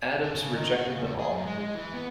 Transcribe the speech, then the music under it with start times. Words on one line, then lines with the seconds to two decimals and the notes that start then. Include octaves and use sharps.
Adams rejected them all.
0.23 D4
0.35 C#3
0.54 D#3
0.72 F#4
0.87 C#3
1.02 E2
1.19 G#4
1.32 F#2
1.46 G#3
1.59 G#3
1.74 E3
1.94 B3